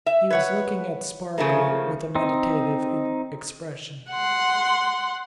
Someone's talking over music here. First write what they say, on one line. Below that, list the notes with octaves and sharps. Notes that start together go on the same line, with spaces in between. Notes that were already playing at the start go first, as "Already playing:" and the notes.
He was looking at Spargo with a meditative expression.
E5
B4 C#5 F#5
C#3 F3 A3 A#3
C4 D#4
F#5 C6